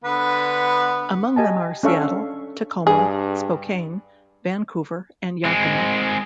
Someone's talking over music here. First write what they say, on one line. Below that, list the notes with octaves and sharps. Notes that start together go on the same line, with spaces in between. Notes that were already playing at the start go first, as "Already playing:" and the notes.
Among them are Seattle, Tacoma, Spokane, Vancouver, and Yakima.
D3 B3 B4
G4 D#5 G#5 A5
C#4 D4 A4 E5 F5 C#6
G2 G#4
G#3 C4